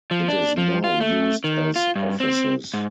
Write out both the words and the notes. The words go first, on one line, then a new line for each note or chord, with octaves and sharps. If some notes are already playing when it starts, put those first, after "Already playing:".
It is now used as offices.
F3
D4
F3
F4
A3
D#3
F4
G2
C4
G#2